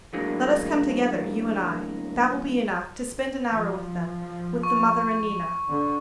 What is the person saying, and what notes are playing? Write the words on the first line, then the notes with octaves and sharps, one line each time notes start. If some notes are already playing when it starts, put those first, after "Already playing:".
Let us come together, you and I, that will be enough, to spend an hour with them, with the mother and Nina.
A2 D3 F#3 G#3 A#3
F3
C#6
D3